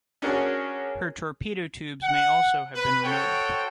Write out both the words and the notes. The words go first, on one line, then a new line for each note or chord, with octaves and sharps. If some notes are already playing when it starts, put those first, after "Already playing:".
Her torpedo tubes may also have been removed.
C#4 D4 F#4 G#4 A#4
F#5
B4
F#4 A4 C5 C#5 G5